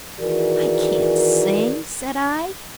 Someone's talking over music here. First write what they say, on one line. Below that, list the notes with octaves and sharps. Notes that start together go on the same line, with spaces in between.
"I can't sing," said I.
D#3 E3 F#4 G#4 A#4 D5